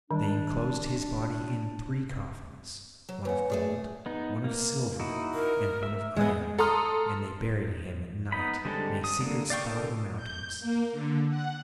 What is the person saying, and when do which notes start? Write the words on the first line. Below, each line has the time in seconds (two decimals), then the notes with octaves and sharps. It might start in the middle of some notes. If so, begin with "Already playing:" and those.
They enclosed his body in three coffins--one of gold, one of silver, and one of iron--and they buried him at night, in a secret spot in the mountains.
0.11 D#3 G3 D4
3.09 F#3
3.25 D#2 B4 C#5 F#5 G#5
3.50 A3 G#4 D5
4.06 B3 D#4
4.44 A#3
5.00 D#4 E4 F#4
5.34 A#4
5.83 E5
6.16 G#3 B3 G#4
6.58 A4 A#5 C6 D#6 F6
8.32 B3 D#4 B5
8.65 D3 G3 G#3 C4 A4
9.04 D#6
9.21 D3 A#3
9.50 D5 F5 G5 C#6
9.66 D3 A4 A#4 D#6
10.16 G6
10.60 A#3
10.93 D3
11.29 F#5